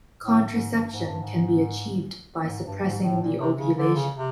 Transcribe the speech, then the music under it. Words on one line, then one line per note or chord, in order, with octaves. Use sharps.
Contraception can be achieved by suppressing the ovulation.
A2
G#2
G2
G#2
G2
G#2
G#2
G2
G#2
A2
A#2
C3
C#3
D3
C#3
C3